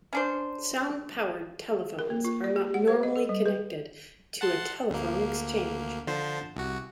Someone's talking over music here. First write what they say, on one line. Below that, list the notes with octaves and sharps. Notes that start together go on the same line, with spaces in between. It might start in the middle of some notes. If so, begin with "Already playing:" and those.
Sound-powered telephones are not normally connected to a telephone exchange.
C#4 D4 C5
A#4
A#3
F4
D5
G4
F#5
C5
D#5
A4
G3
B4
F#5 A5 C6
D2 A#3
D3 F3 C5
C2 F#4